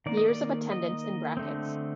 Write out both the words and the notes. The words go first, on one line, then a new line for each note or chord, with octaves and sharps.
Years of attendance in brackets.
D#3 A#3 D5
D#5
D5
D#5
D3 A3 C4